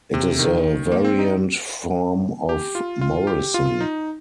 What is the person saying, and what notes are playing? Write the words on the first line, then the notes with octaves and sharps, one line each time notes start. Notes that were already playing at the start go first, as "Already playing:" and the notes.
It is a variant form of Morrison.
C3
D#3
A#3
C4
D#4
G4
F4
F4
G4
F4
D#4